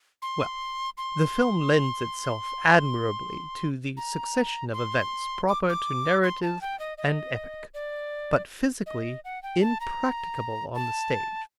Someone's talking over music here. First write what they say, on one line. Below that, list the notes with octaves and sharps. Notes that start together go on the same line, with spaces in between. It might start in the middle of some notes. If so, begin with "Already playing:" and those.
Well, the film lends itself admirably to the succession of events proper to narrative and epic, but physically impracticable on the stage.
C6
C6
A#5
C6
D6
D6
C6
A5
G5
D#5
D#5
D5
D#5
F#5
G5
A5
A#5
A5